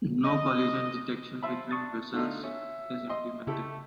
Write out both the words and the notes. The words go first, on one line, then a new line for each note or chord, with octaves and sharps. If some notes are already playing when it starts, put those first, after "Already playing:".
No collision detection between vessels is implemented.
D#5
F3 E5 B5
D4 C#6 D#6 A6
D3 A3 D#4 F4
C#4 E5
D#5 C6
C#3 A3 E4 G4 A4